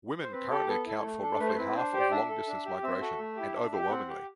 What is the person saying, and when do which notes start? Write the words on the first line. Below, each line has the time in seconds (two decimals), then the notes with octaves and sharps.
Women currently account for roughly half of long-distance migration, and overwhelmingly.
0.23 C5
0.32 C4 B4
0.50 G4 A4
0.68 B3 A4
0.86 E4 A4
1.04 A3
1.22 D4 A4
1.40 A3 B4
1.48 C5
1.54 C4 E4 B4
1.75 D4 C5
1.93 G4
2.00 D5
2.11 D4 E5
2.30 A4
2.47 D4
2.65 G4
2.83 C4 E5
3.01 F#4 A4
3.19 A3
3.37 E4 G4
3.55 D4
3.73 G4
3.82 G5
3.90 C4 F#5
4.09 G4